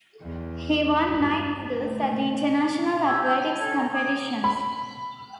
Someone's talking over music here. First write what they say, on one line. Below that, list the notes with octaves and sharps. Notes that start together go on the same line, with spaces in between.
He won nine medals at the International athletics competitions.
E2
G#1 G2
A3
G4 G#5 E6 G#6
A5 E6 G6
E4 A5
C#4 A4 G#6
A#5
D6 D#6 G#6
B5